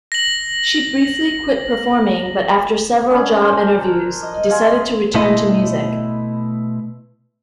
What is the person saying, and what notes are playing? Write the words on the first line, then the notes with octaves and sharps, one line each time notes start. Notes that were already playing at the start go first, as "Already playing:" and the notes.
She briefly quit performing, but after several job interviews decided to return to music.
A#6 F#7
C#4 D4
A4 A#4 C5 G#5
D#5
G#3 G#4 F5
B2 A3 E4 D#5 C6